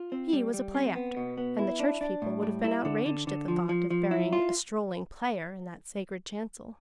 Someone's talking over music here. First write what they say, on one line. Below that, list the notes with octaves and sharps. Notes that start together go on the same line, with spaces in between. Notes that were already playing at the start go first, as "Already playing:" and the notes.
He was a play-actor, and the church people would have been outraged at the thought of burying a "strolling player" in that sacred chancel.
Already playing: F4
C4
G3
G3
C4
B3
B2
B3
E4
D4
D4
A2
G3
E4
D3
D3
D3
F3
F3
F3
E4
F4